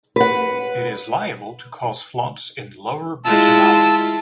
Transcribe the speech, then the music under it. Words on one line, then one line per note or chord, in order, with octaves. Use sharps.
It is liable to cause floods in lower Bridge of Allan.
B4 F#5
G#3 E4 F4 A5 E6